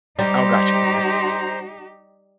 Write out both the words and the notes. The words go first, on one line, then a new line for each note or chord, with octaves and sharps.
Oh, gotcha, okay.
G3 D#4 G4 C5 A#5